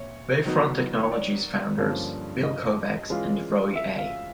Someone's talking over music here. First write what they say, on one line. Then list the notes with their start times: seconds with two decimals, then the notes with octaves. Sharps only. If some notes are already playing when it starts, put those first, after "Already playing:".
Wavefront Technologies founders Bill Kovacs and Roy A.
Already playing: A#2 C#5 E5
0.45 D#3 F#3 B3 D#4
1.03 C#5
1.12 D5
1.77 G2 D3 F3 A#3 C#4
2.43 D#5
3.10 E3 G#3 C#4 F4
3.76 E5
3.98 F5